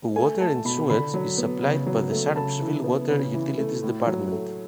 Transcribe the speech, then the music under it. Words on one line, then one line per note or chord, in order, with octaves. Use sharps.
Water and Sewage is supplied by the Sharpsville Water Utilities Department.
A3 G#5
A3 A5
B2 B5
D3 B5
F#3
B3
C#3
F#3
A3
C#3 A5
E3
B3
C#3
E3
A3
A2
F#3
A3